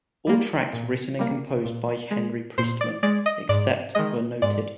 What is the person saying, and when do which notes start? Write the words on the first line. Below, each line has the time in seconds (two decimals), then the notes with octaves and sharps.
All tracks written and composed by Henry Priestman except where noted.
0.27 G3 A#3
0.73 A#2
1.19 G3 A#3
1.65 A#2
2.11 G#3
2.58 A#2 C5
2.81 D5
3.03 G#3 D5
3.26 D#5
3.49 G#2 D5
3.95 D#3 G#3 D#5
4.42 G#2 D5